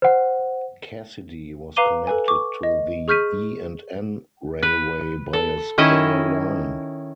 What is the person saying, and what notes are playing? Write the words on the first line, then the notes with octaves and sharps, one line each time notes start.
Cassidy was connected to the E and N Railway by a spur line.
C5 F#5
B4 F5 A#5 D6 D#7 G7
A4 B4 G#5
C#6 D6
D#5
G#4 C#6 F6 G6 B6 D#7
B4
A4
D#3 C#4 E4 D#5